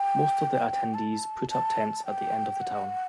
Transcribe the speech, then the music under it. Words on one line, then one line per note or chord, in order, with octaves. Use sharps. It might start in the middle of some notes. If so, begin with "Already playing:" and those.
Most of the attendees put up tents at the end of the town.
Already playing: G5
A5
A5
G5
F#5